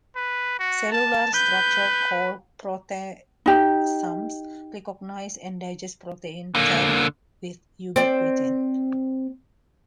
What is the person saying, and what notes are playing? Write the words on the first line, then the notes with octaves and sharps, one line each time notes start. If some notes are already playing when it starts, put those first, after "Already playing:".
Cellular structures called proteasomes recognize and digest proteins tagged with ubiquitin.
B4
F#4
A5
B4 G6
D#4 G4
D3 A#3
C4 D5